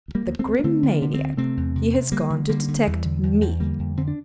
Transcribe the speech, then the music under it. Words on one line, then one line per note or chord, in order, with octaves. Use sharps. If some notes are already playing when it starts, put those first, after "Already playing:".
The Grim maniac! he has gone to detect me!
D2
G3 A#3
D2
A3 C4
D2
A#3
D3 A3 C4
D3
A#3 D4
D3
A3 C4
D2
C3 A3 C4
E2
C3
C3
D3 G3 A#3
D3
D3 G3 A#3
D3
E2 E3 G3
D3
E2
E2
D3 G3 A#3
F2
D3 C4
D4